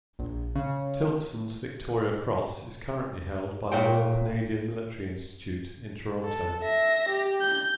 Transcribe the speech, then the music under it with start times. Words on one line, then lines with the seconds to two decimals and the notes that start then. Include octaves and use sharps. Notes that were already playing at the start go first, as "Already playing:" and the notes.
Tiltson's Victoria Cross is currently held by the Royal Canadian Military Institute in Toronto.
0.19 A#1
0.56 C#3
3.72 A#2 C#5 G5
6.24 A4
6.62 E5 A#6
7.09 G4
7.41 G6